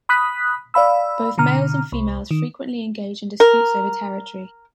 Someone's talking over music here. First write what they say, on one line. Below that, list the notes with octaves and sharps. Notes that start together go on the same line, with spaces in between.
Both males and females frequently engage in disputes over territory.
B5 D#6 F#6 B6
D5 F5 B5 E6
B2 D3 A#5 F6
C2
D#3
A#4